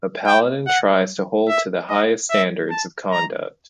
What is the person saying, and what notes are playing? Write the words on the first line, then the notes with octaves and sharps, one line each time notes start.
A paladin tries to hold to the highest standards of conduct.
G5
F#5
E5
D#5
E5
A5
A#5